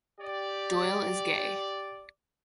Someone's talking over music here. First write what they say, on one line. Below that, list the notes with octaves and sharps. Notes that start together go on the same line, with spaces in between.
Doyle is gay.
G4 D5